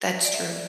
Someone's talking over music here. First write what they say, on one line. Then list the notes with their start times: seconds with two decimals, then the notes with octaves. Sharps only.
That's true.
0.25 D5
0.34 E5